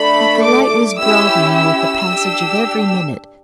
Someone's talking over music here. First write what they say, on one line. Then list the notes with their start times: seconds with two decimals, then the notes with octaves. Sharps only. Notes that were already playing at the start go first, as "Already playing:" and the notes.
But the light was broadening with the passage of every minute.
Already playing: A3 D4 A4 B5
0.45 D6
0.99 C#4 E4 G4 E6
1.54 E6
2.08 D4 G4